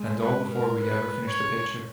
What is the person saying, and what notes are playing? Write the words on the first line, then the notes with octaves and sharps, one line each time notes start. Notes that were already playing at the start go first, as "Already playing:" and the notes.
And all before we'd ever finished the picture.
Already playing: G#3
B4
A#4
B4
C#5